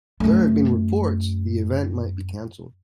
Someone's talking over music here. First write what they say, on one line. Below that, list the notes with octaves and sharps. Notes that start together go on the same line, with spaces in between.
There have been reports the event might be canceled.
F#2 A3